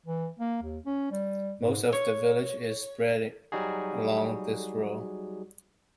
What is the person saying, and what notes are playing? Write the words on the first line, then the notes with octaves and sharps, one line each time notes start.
Most of the village is spread along this road.
E3
A#3
D#2
C#4
G3
G#2
C#5
F#3 G3 D#4 F#4 G#4